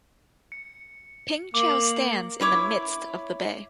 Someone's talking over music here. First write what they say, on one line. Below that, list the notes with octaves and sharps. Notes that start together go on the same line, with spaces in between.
Ping Chau stands in the midst of the bay.
C#7
A#3 D6 F#7
E4 C#5 D6